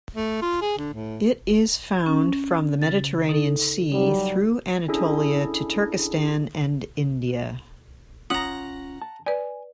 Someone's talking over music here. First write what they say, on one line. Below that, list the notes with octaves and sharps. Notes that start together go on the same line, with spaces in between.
It is found from the Mediterranean Sea, through Anatolia to Turkestan and India.
A3
F4
G#4
D3
A2
C#4
C#3 A6
D#4 A4
F#3 G3 D#4
C#4 D4 E4 G#4 A4
C#4 F4 F#5 A#5 D#6
A5
B4 D5 G#5